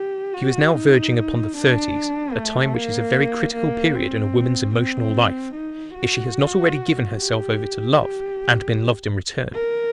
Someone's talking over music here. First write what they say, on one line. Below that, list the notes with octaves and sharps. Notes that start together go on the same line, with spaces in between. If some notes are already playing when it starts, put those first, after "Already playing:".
She was now verging upon the thirties--a time which is a very critical period in a woman's emotional life, if she has not already given herself over to love and been loved in return.
Already playing: G4
F#4
D#4
D4
A3
A#3
A#3
C4
C4
D#4
F#4
G4
G4
A#4